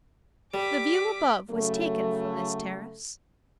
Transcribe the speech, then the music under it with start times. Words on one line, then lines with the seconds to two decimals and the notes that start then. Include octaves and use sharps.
The view above was taken from this terrace.
0.54 G3 D6 B6
1.50 C#3 F#3 A3